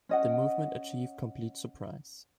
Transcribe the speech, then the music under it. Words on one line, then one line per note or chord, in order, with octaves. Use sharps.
The movement achieved complete surprise.
C#4 D#5 F#5